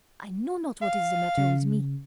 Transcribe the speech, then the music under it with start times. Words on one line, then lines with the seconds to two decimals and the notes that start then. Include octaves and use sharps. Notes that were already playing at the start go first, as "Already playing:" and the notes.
I know not what is the matter with me.
0.82 F5
1.38 C#3